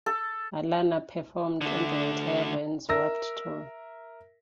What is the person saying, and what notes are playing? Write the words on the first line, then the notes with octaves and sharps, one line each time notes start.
Alana performed on the entire Vans Warped Tour.
A4
D3 A3
A#4 E5 E6 A#6